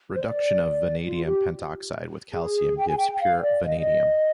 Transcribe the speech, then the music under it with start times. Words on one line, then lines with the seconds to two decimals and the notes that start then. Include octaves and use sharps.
Reduction of vanadium pentoxide with calcium gives pure vanadium.
0.14 C5
0.18 D5
1.05 F4
1.26 G4
2.35 G#4
2.78 G5
2.87 G#5
2.97 G5
3.20 F5
3.42 D5
3.64 D#5